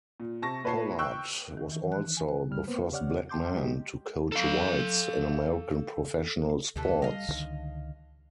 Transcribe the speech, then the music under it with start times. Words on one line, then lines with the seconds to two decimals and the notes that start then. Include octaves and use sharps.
Pollard was also the first black man to coach whites in American professional sports.
0.20 A#2
0.42 C3 A5 C#6 A#6
0.64 A#2 B4 C#5 A5 C#6 C7
0.99 G5 C#6 E6 F#6
1.57 D#3
1.72 E3
1.92 F#6
2.17 G#5
2.29 C5
2.49 G2 C#3 G3 F6
2.67 A#3 B3 B4 C5
2.92 C#3 G4 C#5 D5 F#5 F6
3.29 G5 A5 C6 D6 G6
3.54 G#3 F#4 G4 D#5
4.32 A4 F5
6.76 D2 C3 E3 A4
7.02 G3 D#5 F5
7.29 C#2 D3 D#3